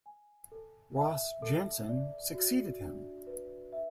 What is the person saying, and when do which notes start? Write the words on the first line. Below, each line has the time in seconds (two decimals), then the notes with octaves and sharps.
Ross Jansen succeeded him.
0.06 G#5
0.52 A4
0.97 E5
1.42 A4
1.89 D5
2.34 F#4
2.81 D4
3.27 B4
3.72 E5